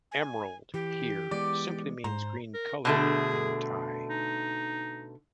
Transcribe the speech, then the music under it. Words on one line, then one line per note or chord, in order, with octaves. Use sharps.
"Emerald" here simply means "green coloured" in Thai.
G#5
E3 G4
E3 G#3 B3 D5
G#2 C5 A#5
A#4
B2 D3 A3 G#4
D#4